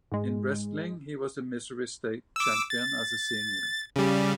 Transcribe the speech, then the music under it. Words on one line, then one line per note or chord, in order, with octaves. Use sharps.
In wrestling, he was the Missouri State Champion as a senior.
G#2 G#3
D6 E6
A6
C#3 G3